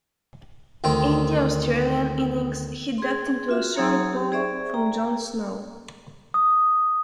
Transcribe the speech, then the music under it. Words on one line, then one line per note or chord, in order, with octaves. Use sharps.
In the Australian innings he ducked into a short ball from John Snow.
D2 D#3 C4 G5
G#4 C6
F4 F#4 E5
F#3 D#4 G#4 C#5 A#5 C6
G4
G#4 C5 D5 E5 C#6
G5 A#5
D#6